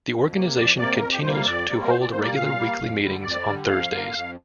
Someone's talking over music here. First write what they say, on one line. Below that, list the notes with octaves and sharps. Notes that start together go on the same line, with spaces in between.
The organization continues to hold regular weekly meetings on Thursdays.
F2
C3 A#3
F2 D5
C3 A#3 D5
F2 A#4
G4
C3 G3 A#3 C5
F5
F2 D5
C3 G3 A#3
A#4
A#2 C5
D5
G3 A#3 C5
D5
A#2 F5
G3 A#3
F2
D3 G3
F2 D5
D3 G3
F2 F5
D3 A#3
F2